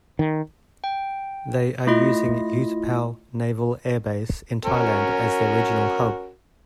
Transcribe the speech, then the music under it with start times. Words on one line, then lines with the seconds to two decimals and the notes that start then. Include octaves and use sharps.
They are using Utapao Naval Air Base in Thailand as their regional hub.
0.19 D#3
0.84 G5
1.87 A3 E4 F4 D#5
4.65 C#4 F#4 A#4